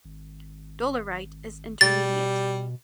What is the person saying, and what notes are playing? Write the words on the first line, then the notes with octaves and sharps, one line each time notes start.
Dolerite is intermediate.
G#1
B2 G3 A6